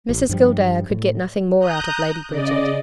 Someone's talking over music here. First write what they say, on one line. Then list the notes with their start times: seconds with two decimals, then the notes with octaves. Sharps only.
Mrs Gildea could get nothing more out of Lady Bridget.
0.09 A1
0.29 G2 F3 G3
0.90 A2
1.59 A#5 D#6 F#6 G6
2.28 C#3 D5 D#5